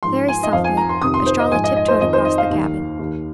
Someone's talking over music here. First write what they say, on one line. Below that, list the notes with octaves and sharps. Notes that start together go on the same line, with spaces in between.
Very softly Estralla tiptoed across the cabin.
G#2 F3 C6
G#5
D#5
F2 F3 F5
G#5
A#5
C6
F2 C3 D#3 D#6
C6
C5
D#5
G#2 F3 G#5
D#5
D#5
C5
F2 D#3 D#5
C5
D#5
F5
D#2 D#3
D#2 D#3